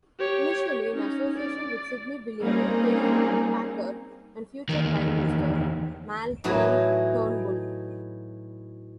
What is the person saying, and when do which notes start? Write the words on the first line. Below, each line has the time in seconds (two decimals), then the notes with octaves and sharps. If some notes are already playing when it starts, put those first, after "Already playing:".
Initially in association with Sydney billionaire Kerry Packer and future Prime Minister Malcolm Turnbull.
0.19 G4 C#5
0.94 C#4 D#4
1.38 D5
2.42 G3 A#3 C4 C#4 D#4 G#4
4.69 E2 D#3
6.44 A2 E3 F#3 D#4